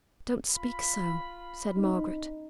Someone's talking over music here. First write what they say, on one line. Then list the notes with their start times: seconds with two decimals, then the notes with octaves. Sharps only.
'Don't speak so!' said Margaret.
0.49 F4 B5
1.76 D#4